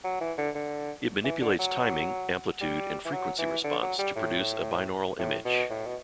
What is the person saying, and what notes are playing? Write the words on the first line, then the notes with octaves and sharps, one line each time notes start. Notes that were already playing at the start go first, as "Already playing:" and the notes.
It manipulates timing, amplitude and frequency response to produce a binaural image.
F#3
E3
D3
D3
E3
D3
F#3
G3
E3
F#3
E3
D3
F#3
G3
A2
A2
B2
A2
B2